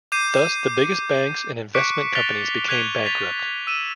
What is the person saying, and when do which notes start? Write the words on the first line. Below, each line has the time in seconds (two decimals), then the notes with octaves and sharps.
Thus the biggest banks and investment companies became bankrupt.
0.12 D6 G6 C7 D#7
1.75 C#6 D6 F#6 B6 C#7 D7
2.15 F#6 A6 B6 F7 G7
2.68 F#6 G#6 B6 D#7 F7 G7
3.06 G#6 A6 B6 F7
3.67 E6 D#7 E7